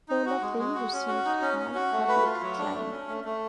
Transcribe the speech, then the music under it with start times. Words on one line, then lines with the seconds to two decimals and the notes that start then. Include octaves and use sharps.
All of them received high public acclaim.
0.09 D#4
0.26 F#4
0.41 G#3
0.58 G#3
0.75 F#4
0.93 C#4
1.08 F#4
1.25 D#4
1.41 C#4
1.59 C#4
1.75 F#4
1.92 A3
2.08 B4
2.26 F4
2.42 F#3
2.58 D4
2.74 A3
2.91 C#4
3.08 A3
3.24 A3